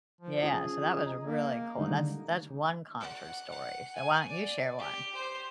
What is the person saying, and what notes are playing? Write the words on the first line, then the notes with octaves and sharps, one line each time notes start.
Yeah, so that was really cool. That's that's one concert story. So why don't you share one?
F3
F3 C#4 G#4
D#5 A#5
A#3
D3 D#3 G3 D#4
F#5
F#5
G#5
D5
G4
C5